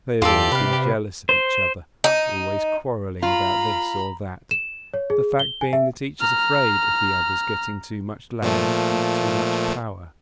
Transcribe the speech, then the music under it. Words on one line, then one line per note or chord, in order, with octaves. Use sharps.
They have always been jealous of each other, always quarreling about this or that, the fact being that each is afraid of the other's getting too much land and too much power.
E2 F4 G4 A4 D5
C3 B4 F5
C5
D#4
F4 A#5 B5
E7
C#5
G#4
G7
G#5
E5
A#5 F6
A#2 F3 A3